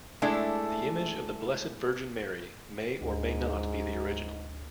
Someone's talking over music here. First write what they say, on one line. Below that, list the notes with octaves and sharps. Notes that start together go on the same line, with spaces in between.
The image of the Blessed Virgin Mary may or may not be the original.
G#3 A3 D4 E4
D2 G#2